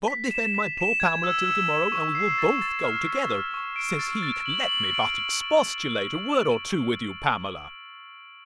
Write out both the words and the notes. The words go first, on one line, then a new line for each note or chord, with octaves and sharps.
God defend my poor Pamela till to-morrow, and we will both go together.--Says he, let me but expostulate a word or two with you, Pamela.
B6
E7
B6
E7
G#6
E6
E6
G#6
C#6
C7
A6
A6
F6
C7
F6
C#6
D7
A6
A6
F#7
F#7
D7
F#7
D7